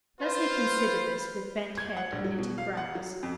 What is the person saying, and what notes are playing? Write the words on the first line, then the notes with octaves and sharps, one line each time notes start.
Leslie considered this with bent head and knitted brows.
F4 B4 C5
G#6
F#5
A#1
F#3
B2
F5
F#5
F#3
F2